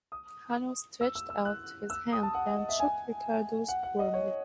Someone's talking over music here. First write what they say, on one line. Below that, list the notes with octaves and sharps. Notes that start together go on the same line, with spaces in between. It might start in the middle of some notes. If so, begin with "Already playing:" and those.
Hanaud stretched out his hand and shook Ricardo's warmly.
D#6
E6
E6
E6
F#6
E6
D#6
A5
F#5
D#5
D#5
E5
G#5
F#5
F#5
D#5
C#5